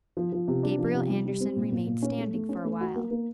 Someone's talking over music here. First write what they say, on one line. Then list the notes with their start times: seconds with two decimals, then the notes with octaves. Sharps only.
Gabriel Andersen remained standing for a while.
0.17 F3
0.33 F3
0.48 C3
0.63 D4
0.79 F3
0.94 C3
1.09 G3
1.25 G3
1.40 C4
1.56 A#2
1.72 A#2
1.87 A#2
2.02 C#4
2.18 A3
2.34 A3
2.49 C#4
2.65 A3
2.81 F#4
2.96 A#3
3.11 A#3